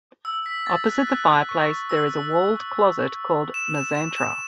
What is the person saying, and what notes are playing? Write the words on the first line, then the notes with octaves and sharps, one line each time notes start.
Opposite the fireplace there is a walled closet called "mesantra".
E6
B6
A6
F#6
F#6
C#6
E6
E7
E7
E7
E7